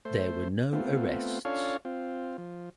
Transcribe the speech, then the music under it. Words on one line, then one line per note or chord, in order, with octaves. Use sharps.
There were no arrests.
A3 C5
A3 B3 C4 F4
C#4 D4 F4 A4 C#5 F5
C4 F4
F3